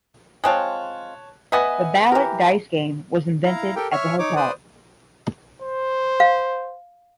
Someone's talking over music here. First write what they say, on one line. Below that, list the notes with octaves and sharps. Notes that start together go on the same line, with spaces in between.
The balut dice game was invented at the hotel.
G#3 C4 F4 C#5 A5 F#6
B3 B4 D#5 E5 F#5 G#5
E3 G4 A#4
E4 F5 A#5
G4 A4 A#4 G5
C#5 E5 C#6 F6
D#4 C#5 D6
B4 C5 D5 D#6
C5
F5